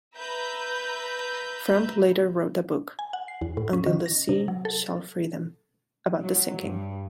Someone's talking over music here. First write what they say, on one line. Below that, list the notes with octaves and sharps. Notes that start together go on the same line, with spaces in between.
Frump later wrote a book, "Until the Sea Shall Free Them", about the sinking.
B4 E5 A#5 G6
G#5
F#5
C7
E2
A2
C#4
D#3
A#6
C3
F#3
A4
F#3
G2